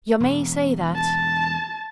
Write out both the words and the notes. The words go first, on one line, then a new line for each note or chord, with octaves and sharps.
'Yo' may say that.
E1
A5